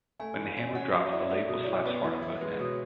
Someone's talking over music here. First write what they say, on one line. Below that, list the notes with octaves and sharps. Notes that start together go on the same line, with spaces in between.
When the hammer drops the Lebel slaps hard on both ends.
A3 G#5
E3
C#4 G#5
C#4 F#5
F#3 E5
C#5
E4 D5
A3 E5
B2 C#5
D5
E4 C#5
B3
E3
E4
G#3 B4
B2 C#5